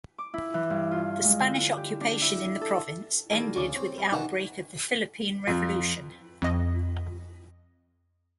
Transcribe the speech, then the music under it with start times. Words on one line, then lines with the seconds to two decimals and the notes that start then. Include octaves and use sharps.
The Spanish occupation in the province ended with the outbreak of the Philippine Revolution.
0.18 D6
0.34 E4
0.54 E3
0.70 G2
0.91 F4
1.25 G#3
1.40 D3
1.77 G4
2.01 D4
2.22 E4
2.61 A4
3.30 D#3 G3 A#3 A4 D5
3.56 D2 C#3 D5 C#6 D6
3.76 C4 C#5
3.98 G3
4.12 C3 D#3 E3 D4 D#4 F#4
5.47 F2
6.42 F2 D#5